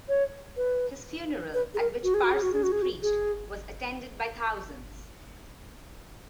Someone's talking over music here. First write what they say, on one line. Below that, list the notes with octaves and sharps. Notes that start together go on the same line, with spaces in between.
His funeral, at which Parsons preached, was attended by thousands.
C#5
B4
B4
G#4
A#4
F#4
G#4
F#4
G#4
F#4
G#4
F#4
G#4
F#4
G#4